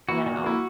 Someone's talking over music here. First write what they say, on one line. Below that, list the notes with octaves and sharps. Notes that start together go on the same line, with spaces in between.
You know?
A#3 E4 F#4
A#2 F#4
A#3 E4